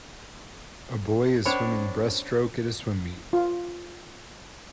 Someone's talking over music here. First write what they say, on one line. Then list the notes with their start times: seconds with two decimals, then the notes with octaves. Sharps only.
A boy is swimming breaststroke at a swim meet.
1.46 C#4 D4 C5 C#5 B5
3.33 F4